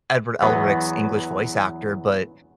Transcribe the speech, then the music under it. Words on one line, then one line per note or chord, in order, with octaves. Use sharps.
Edward Elric's English voice actor, but
E2 F#3 B3